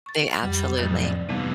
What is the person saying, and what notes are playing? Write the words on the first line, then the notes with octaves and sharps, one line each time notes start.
They Absolutely
C#6 A6
F2 G3
F2 A2 F#3 A6
D5
C3 E3 G3 B3 D#4